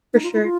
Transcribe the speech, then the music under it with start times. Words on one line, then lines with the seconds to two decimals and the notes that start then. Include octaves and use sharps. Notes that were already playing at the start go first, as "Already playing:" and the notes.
For sure.
0.13 D#4
0.23 F4
0.33 E4
0.43 F4